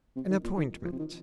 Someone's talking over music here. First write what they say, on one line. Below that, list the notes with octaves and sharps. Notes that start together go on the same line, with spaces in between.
"An appointment."
C3
D#3
A#2
D#3
F3
C3
D#3